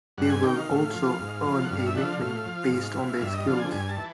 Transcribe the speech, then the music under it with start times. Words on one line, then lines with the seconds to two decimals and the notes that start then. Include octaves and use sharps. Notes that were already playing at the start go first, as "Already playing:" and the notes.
They will also earn a nickname based on their skills.
0.18 G2 F#5
0.30 G#5
0.43 D#3 G5
0.56 F5
0.69 A2
0.94 F3
1.19 G#2
1.44 F3
1.64 F#5
1.69 G2 F5
1.86 E5
1.95 D3 F3 F#5
2.04 F5
2.20 A2 F5
2.46 F3
2.72 G#2
2.97 E3
3.21 G2 E5
3.34 D#5
3.47 D3 F3 F5
3.59 G#5
3.72 G2 G#5
3.89 A5
3.98 E3